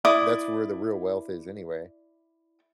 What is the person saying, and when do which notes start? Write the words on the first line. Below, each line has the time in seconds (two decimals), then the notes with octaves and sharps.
that's where the real wealth is anyway.
0.05 E4 D5 D6 D#6